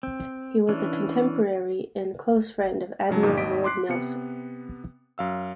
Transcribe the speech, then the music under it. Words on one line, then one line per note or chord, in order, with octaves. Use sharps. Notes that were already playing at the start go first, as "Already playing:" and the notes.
He was a contemporary and close friend of Admiral Lord Nelson.
C4
E3 C#4 D4
G#2 C#3 F#3 A5
G1 A#2 F3 D#4
G#1 D#2 D#5 B6 D7
C6 D6 F#6 C7
C3 B3 C#7
F#2 F5 E6